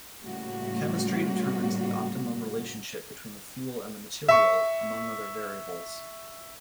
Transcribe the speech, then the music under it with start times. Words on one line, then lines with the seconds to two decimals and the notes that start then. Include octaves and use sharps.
Chemistry determines the optimum relationship between the fuel and the material, among other variables.
0.23 A2 C#3 G3 A3 A#3 F#4
4.28 E5 C#6